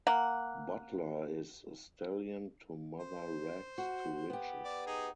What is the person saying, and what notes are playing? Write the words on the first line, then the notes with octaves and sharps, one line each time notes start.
Butler is stallion to mother Rags to Riches.
A#3 F#5
C5
F#4
B3 G4
D5
D#4 G#4